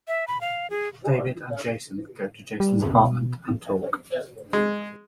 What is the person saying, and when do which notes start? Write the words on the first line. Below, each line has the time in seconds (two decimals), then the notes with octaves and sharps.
David and Jason go to Jason's apartment and talk.
0.08 E5
0.28 B5
0.41 F5
0.70 G#4
2.60 G3
2.94 B2
4.53 G#3